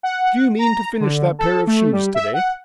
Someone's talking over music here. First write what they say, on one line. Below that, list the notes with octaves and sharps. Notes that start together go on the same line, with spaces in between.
"Do you mean to finish that pair of shoes to-day?"
F#5
A#5
D3
A4
A3
G3
E5
F#5